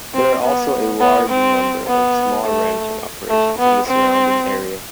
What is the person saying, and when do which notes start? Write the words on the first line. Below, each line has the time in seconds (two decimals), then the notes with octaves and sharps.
There are also a large number of small ranching operations in the surrounding area.
0.14 C4
0.43 B3
1.00 B3
1.29 C4
1.86 B3
2.44 A3
3.29 A3
3.59 B3
3.87 C4